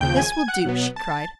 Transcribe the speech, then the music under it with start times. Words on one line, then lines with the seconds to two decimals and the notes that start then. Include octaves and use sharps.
"This will do!" she cried.
0.01 D#2 C#3 F3 G5 G6
0.16 G#5 G#6
0.32 G#5 G#6
0.48 F#5 F#6
0.65 B2 F#3 B3
0.96 A5 A6